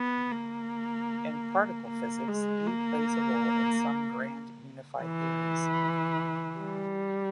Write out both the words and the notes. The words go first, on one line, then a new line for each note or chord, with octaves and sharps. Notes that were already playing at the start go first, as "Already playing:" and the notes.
In particle physics, E plays a role in some grand unified theories.
Already playing: B3
A#3
A#3
G#3
A#3
E3
G3